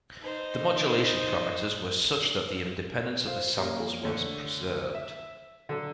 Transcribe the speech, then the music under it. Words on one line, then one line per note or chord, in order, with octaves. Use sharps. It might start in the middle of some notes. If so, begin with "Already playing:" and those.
The modulation parameters were such that the independence of the samples was preserved.
D#4 C5
F4 C5
G3 A#3 C#4
D3 A3 C#5
E5
D3 F#3 A4